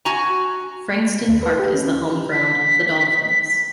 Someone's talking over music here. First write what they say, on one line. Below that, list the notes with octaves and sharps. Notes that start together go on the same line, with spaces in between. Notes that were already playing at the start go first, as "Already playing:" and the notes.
Frankston Park is the home ground of the Dolphins.
F#4 G#5 A#5
D#2
B4
G4
C#4
B6